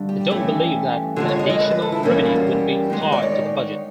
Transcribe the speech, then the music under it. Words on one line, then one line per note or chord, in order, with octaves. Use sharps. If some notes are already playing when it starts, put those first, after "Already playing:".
They don't believe that the additional revenue would be applied to the budget.
Already playing: G2 D3 G3
G4
G2 E3 A3 C#4
D3 F3 G#3 G4
C#5
D#5
D#5
B4
B4
A4
E4
G2 E3 G3 A#3 C#4 D#4
E4
F4
F#4
G4
G2 D#3 G#3 B3 D#4
G#4
D5
C#5